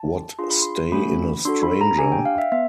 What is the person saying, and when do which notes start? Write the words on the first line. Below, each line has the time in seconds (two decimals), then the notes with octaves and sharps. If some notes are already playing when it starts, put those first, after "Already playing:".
What stay in a stranger?
Already playing: A5
0.39 D4 F4 G#4 C6
0.50 B5
0.62 C6
0.92 A3 C#4 F#4 B5
1.45 D4 F#4 A4 C6
1.63 B5
1.81 A#5
1.98 D4 G4 G#5
2.12 G5
2.25 F5
2.38 E5
2.52 B3 E5